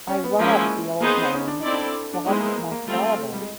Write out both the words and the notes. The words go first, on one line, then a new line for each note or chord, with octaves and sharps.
I robbed the old man — robbed my father.
C#4
B3
F3 G#3 A#3 C#4 E4
A#3 B3 D#4 G#4 C5
C4
C#4
D4
C4 D#4 E4 A4 D5
D4
D4
G#3 B3 D#4 E4 G#4 C5
A#3
A#3
A#3
G3 A3 C4 F4
A3
G#3
G3
G#3